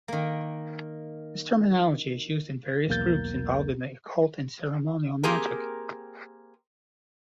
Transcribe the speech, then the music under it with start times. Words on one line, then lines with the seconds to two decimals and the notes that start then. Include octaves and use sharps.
This terminology is used in various groups involved in the occult and ceremonial magic.
0.08 D#3 A#3
2.88 B1 E2 A#3 A#4 G6 A6
5.23 A#3 C4 G4 G#4 A#4